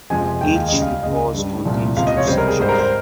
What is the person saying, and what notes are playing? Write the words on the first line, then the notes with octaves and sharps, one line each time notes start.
Each report contains two sections.
F2 C3 F3 G#3 G#5
D#2 D#3 G#3 G5
F5
C#2 C#3 G3 D#5
F5
C#2 C#3 G#3 D#5
G2 G3
C2 A#2 F3
C#2 C3 F3 F5
D#5
C#5
C#2 C3 G3 C5
A#4
G#4
G#2 G3 C5
A#4
C5